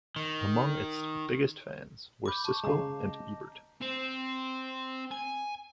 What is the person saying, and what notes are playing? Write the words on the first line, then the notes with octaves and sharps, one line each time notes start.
Among its biggest fans were Siskel and Ebert.
D#3
B5 D6 G6
A5 C#6
C#3 G#3 F5 A#5
D#5
C4
G#5